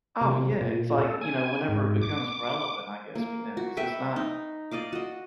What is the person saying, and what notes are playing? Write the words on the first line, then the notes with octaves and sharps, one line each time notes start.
Oh, yeah, it's like, you know, whenever it becomes relevant, I guess, for them 'cause it's not
C3
A#2
A4
G#5
G#2
D6
A#3
F#4
B4 E5 G5 C#6
D#4
D5 D#5 F5 D6
F#4 D#5